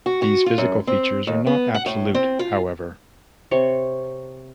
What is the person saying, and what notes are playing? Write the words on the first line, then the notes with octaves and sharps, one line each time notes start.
These physical features are not absolute however.
F#4
F#4
F4
F#2
C4
D#2
B3
F#5
A2
C4
F4
C3 C#5